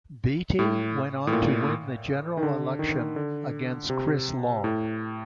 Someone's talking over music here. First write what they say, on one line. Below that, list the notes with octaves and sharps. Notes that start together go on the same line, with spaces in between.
Beatty went on to win the general election against Chris Long.
A2
A2
A#2
D#3
D3
D#3
D3
C3
A2